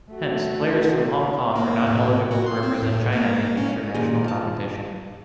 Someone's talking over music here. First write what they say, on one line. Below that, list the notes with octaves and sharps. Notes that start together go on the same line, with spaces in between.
Hence, players from Hong Kong are not eligible to represent China in international competition.
A3 F#4
A#3
A2
F#4
C6
C4
A2
A#3
C#4
A#2 D#3 G4 G#4
F4 A5